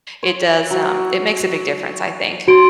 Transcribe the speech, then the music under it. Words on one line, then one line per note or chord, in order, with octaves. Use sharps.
it does um, it makes a big difference, I think.
C#5
F#3
F#4 C#5 C6 D7